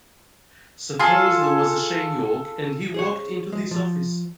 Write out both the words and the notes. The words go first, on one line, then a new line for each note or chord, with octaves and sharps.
Suppose there was a Shane York and he walked into this office.
F4 G#4 A4
G#4 C5 C#5
G#3
F3